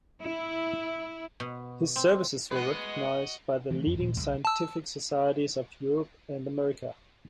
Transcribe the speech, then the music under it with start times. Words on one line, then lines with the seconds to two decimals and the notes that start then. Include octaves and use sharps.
His services were recognised by the leading scientific societies of Europe and America.
0.21 E4
1.40 B2
1.96 C4
2.51 G#3 B3 F#4 B4 D#5
3.71 E3 F3 G3 A3
3.86 F2
3.99 D#1 D2 G2 A#2
4.17 B1 C#3
4.45 A5 E6